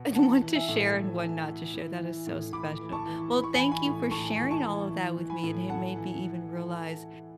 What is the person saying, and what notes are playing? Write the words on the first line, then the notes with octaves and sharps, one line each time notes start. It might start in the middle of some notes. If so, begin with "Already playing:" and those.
And one to share and one not to share, that is so special. Well, thank you for sharing all of that with me. It ha made me even realize
Already playing: B2
E3 F#5 A5
E3
E5 G#5
A2
A2
E3
E3
E3
E3
A2
A2 B5 D6
E3
A5 C#6
E3
E3 B5
C#6
E3 G#5 B5
G#5 B5
A2
A2 A5 C#6
E3
A5 C#6
E3
E3
E3
G#5 B5
A2
A2 F#5 A5
E3